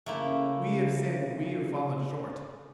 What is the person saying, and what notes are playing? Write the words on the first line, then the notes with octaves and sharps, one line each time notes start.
We have sinned, we have fallen short.
C#3 A3 A#3 E4